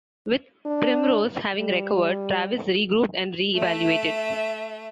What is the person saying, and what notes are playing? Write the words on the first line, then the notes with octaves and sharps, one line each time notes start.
With Primrose having recovered, Travis regrouped and re-evaluated.
D4
G3
A3 E5